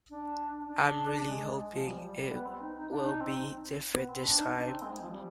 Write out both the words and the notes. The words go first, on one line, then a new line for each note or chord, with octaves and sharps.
I'm really hoping it will be different this time.
D4
D4
G#3
G#3
F3
G3
G3
G3
B3
C4
D#4
D#4
D4
D#4
C4
B3
C4
D4
D#4
D4
C4
G#3
G#3
F3
G3